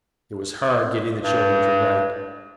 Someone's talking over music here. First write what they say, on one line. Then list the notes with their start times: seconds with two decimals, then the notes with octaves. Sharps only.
It was hard getting the children to write.
1.23 G2